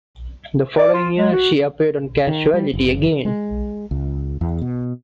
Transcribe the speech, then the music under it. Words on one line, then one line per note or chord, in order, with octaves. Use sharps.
The following year, she appeared on "Casualty" again.
D5
F4
G#3
F#4
D#3
G3
F#1
G#3
C#2
E2
B2